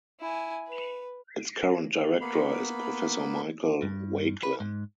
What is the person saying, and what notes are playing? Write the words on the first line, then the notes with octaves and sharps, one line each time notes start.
Its current director is Professor Michael Wakelam.
E4 G#5
B4
A#3 B3 B5
G2
B4
G#2